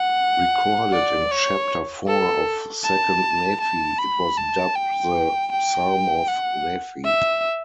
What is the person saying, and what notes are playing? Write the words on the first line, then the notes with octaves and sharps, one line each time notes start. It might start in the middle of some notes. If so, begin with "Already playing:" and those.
Recorded in chapter four of Second Nephi, it was dubbed the "Psalm of Nephi".
Already playing: F#5
D5
C#5
A4
A5
A5
B5
A5
G5
G5
F#5
E5